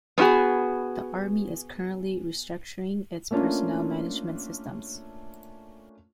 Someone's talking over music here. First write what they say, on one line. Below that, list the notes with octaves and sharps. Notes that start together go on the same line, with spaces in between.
The Army is currently restructuring its personnel management systems.
B3 C#4 E4 F#4 G#4
A3 A#3 C#4 D4 F4